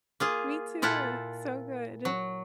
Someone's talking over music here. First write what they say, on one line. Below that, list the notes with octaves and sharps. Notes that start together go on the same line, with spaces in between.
Me too. So good.
A#3 F4 G#4
A#2 E4 F4 A4 F#5
F#3